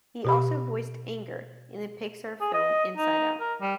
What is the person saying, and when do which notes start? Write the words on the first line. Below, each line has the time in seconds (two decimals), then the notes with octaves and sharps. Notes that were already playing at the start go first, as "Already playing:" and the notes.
He also voiced Anger in the Pixar film "Inside Out".
0.25 B2 G4 B5
2.41 G#4
2.54 D#5
2.97 D#4
3.40 A#4
3.61 G3